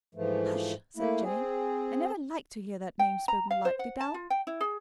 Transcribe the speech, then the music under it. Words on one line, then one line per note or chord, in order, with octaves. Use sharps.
"Hush," said Jane; "I never like to hear that name spoken lightly, Dal."
G#2 E3 F3 A3
A3 A#3 E4
C4 G#4
G5
A#5
F5
C5
F#5
A5
F4
G5
E4
G#4